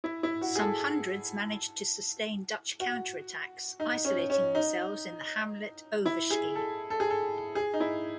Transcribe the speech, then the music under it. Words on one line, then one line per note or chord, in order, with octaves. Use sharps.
Some hundreds managed to sustain Dutch counter-attacks isolating themselves in the hamlet Overschie.
E4
E4
F#4
G#4
A4
F#4
D#4
C#4
C#4
D#4
E4
G#4
A4
A4
G#4
A4
G#4
D#4
E4